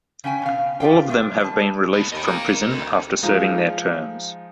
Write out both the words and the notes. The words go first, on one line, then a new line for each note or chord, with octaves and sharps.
All of them have been released from prison after serving their terms.
C#3 C#4 G5 G#5
B2 F5
F4 G4 A4 F5 G5
A3 F4 A#4
G3 A5
A3 B3
D#2 D#5 G5
A#3
D2
F3 G#3 D#4 F4